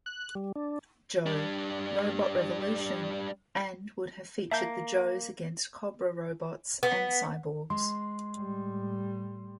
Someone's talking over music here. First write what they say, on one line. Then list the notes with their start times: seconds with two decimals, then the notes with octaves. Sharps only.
Joe: Robot Revolution, and would have featured the Joes against Cobra robots and cyborgs.
0.06 F#6
0.35 G3
0.56 D4
1.26 G3 D4
4.51 A#3 E5 A5 G6
6.83 B3
7.70 G#3 C6
8.37 A2 G3